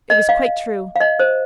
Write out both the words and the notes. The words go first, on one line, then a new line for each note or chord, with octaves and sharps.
It was quite true.
D#5
F5
F5
D#5
C5